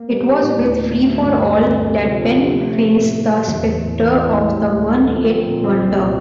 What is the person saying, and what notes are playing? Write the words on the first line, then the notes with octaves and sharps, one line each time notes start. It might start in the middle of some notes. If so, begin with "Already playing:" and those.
It was with "Free-for-All" that Penn faced the specter of the one-hit wonder.
Already playing: A#3
G3
G3
A2
D2
D2
D2
D2
G2
G2
D3
D3
C3
F3
F3
C3
A3
A3
A3
A2
D3
G3
E2
E2
A2
E3
A1
A2
G3
D2
D3
D3
F3
C4
A#2
C4
C2
A#2